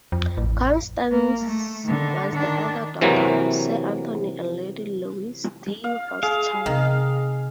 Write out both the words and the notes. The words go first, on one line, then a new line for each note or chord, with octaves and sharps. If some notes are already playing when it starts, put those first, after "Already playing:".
Constance was the elder daughter of Sir Anthony and Lady Louise de Rothschild.
F2
A1
A#3
A3
D3 D#3
D#3 D4
C3 E3 F#3 A#3
F5
G#4 F5
C3 D#3